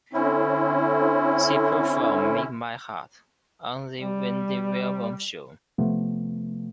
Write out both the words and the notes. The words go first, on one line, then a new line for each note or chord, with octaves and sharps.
She performed "Make My Heart" on "The Wendy Williams Show".
D3 C4 C#4 E4
G3
C3 F3 A3 B3